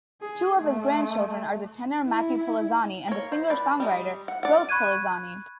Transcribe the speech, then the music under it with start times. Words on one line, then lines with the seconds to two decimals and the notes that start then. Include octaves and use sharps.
Two of his grandchildren are the tenor Matthew Polenzani and the singer-songwriter Rose Polenzani.
0.22 G#4
0.60 A3
2.05 E4
3.08 A#3 C#5
3.32 C5
3.50 B4 D5
3.80 G3 G#3
4.28 F#5
4.43 D5 F#5
4.69 B5 C#6 F#6 G#6 D#7